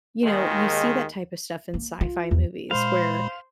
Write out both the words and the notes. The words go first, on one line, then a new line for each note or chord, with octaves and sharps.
you know, you see that type of stuff in sci-fi movies, where
D#2 D#3 G#3
A#3
F4
E2
A#2 G#3 C5 F5 B5